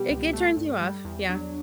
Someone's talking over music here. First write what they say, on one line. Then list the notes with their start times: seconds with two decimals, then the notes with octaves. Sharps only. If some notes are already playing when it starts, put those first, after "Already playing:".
It it turns you off. Yeah.
Already playing: B2 G3 B3 G4
0.10 C#2
0.33 A3
0.57 G2
0.81 G3
1.05 E2
1.29 F#3 D4